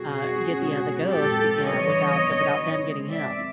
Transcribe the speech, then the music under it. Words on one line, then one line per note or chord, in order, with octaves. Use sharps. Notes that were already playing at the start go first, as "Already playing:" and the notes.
uh, get the, uh, the ghost, uh, without without them getting him.
Already playing: B2 G3 C4 F#4 G#4
B2 G#3 C#4
A#2 F3 G#3 C4 G4 A4
E3 G3 B3 D4 C#5 D#5
B2 F#3 B3 D4
C3 D#3 G#3 C4
D5 E5